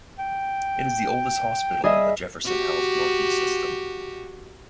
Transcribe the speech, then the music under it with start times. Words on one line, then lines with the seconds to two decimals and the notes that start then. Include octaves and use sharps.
It is the oldest hospital in the Jefferson Health Northeast system.
0.19 G5
1.84 G3 G#4 D#5 E5
2.45 F#4 G4